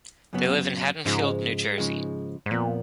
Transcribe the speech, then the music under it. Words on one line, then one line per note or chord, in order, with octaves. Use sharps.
They live in Haddonfield, New Jersey.
F#2 C#3 F#3 B3
G#2 C#3 F3 G#3
C#3 F3 G#3
G#2
F2 A#2 F3 B3